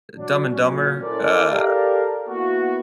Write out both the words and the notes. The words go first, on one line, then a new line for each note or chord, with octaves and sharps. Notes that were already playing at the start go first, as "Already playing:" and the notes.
Dumb and Dumber? Uh
F#3 D4
A#2 F#3 C#4
C#4 E4 A4 A#4 C5 D5
G4 A4 A#4 D5 F5
A#3 B3 E4 F#4